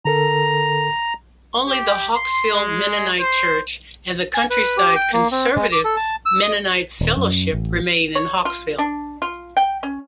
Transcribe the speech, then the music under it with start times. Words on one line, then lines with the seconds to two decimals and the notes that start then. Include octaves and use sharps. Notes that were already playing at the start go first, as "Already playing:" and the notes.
Only the Hawkesville Mennonite Church and the Countryside Conservative Mennonite Fellowship remain in Hawkesville.
0.05 D3 A4 A#4 A#5
1.68 G4
2.14 C6
2.52 G#3
3.18 C5
4.34 G#5
4.50 B4
4.77 G4
4.96 G5
5.13 A#3
5.31 C4
5.56 G#3
5.72 D6
5.84 A4
5.96 A5
6.26 E6
6.42 D#5
7.01 D#1
7.17 F#2
7.53 A1
8.15 C#5
8.45 F4
8.78 D4
9.22 F4
9.57 G5
9.83 C#4